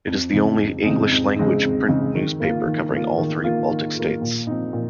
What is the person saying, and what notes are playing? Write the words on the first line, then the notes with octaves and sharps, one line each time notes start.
It is the only English language print newspaper covering all three Baltic states.
F2
C#3 G#3 C4 D#4
F2
C#3 G#3 C4 D#4
F2
C#3 G#3 C4 D#4
F2
C#3 G#3 C4 D#4
D#3
A#3 F4
D#3
A#3 F4
D#3
A#3 F4
D#3
A#3 F4
A#2
F3 C4 D#4
A#2